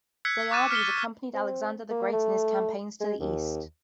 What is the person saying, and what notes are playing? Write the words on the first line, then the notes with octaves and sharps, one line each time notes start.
Diades accompanied Alexander the Great in his campaigns to the East.
E6 F#6 G#6 B6 C#7
C#6 D6 F#6 A6 D#7 E7
F6 B6 C#7 G7
C4
A#3
A3
G#3
D#2